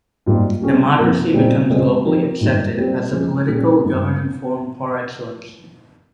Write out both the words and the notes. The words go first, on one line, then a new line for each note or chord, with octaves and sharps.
Democracy becomes globally accepted as the political governing form par excellence.
G#2 G3 A#3 F4
G3 C#4 G#4
C3 F3 A#3 F4 A#4
A#2 G3 C4 D#4 G#4
C#3 G#3 C4 F4 G#4
F3 C4 G4 A#4
G#2 D#3 G3
G3 C4 G4
F3 G#3 C#4 G#4
A#2 G3 C#4 G#4
G2 D#3 G#3 D#4 A#4